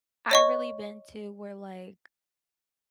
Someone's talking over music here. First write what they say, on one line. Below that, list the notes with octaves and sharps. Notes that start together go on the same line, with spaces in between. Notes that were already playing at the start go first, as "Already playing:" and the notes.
I really been to were, like,
C#5 D#5 C#6